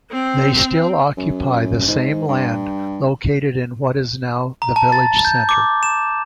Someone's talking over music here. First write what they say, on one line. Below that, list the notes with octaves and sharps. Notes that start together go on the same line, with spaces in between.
They still occupy the same land located in what is now the village center.
C4
F#2
G#2
G2
A#5
A5
A6
G6
D6
E7